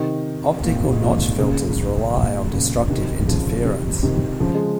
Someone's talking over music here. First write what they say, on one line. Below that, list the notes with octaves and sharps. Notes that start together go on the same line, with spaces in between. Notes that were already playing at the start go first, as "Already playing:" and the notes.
Optical notch filters rely on destructive interference.
Already playing: C3 D#3
A#2
G#2
A#2
A#2 C#3
A#2
A#2 C#3
C3 D#3
C#3 F3
C3 D#3
C3 D#3
C#3 F3
G#3